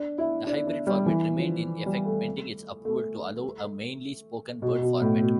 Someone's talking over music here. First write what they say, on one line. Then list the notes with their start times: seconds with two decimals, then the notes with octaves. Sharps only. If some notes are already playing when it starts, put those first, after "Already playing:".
The hybrid format remained in effect pending its approval to allow a mainly-spoken-word format.
Already playing: D4
0.18 E4
0.47 D4
0.67 D4
0.87 G3
1.06 E3
1.37 F3
1.86 G3
2.05 A3
2.85 A3
4.62 B2
4.82 B2
5.01 A2
5.21 B2